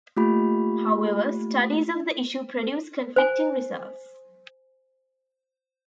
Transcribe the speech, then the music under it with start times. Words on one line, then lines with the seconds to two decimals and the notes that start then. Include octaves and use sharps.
However, studies of the issue produce conflicting results.
0.17 A3 A#3 F4 G4 B5
3.16 C5 G#5